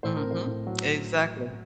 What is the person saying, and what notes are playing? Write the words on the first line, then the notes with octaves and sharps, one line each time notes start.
Mhm. Exactly.
A2 C5
A#4
C4
C5
A2
F#3